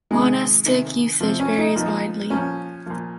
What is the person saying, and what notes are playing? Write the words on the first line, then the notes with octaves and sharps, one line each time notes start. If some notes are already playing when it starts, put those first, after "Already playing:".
Monastic usage varies widely.
C3 D#3 G#3
C3 D#3
C3 F3 C4
C#4
D#4
A#2 F3 D#4
A#2 F3 C#4
A#2 F3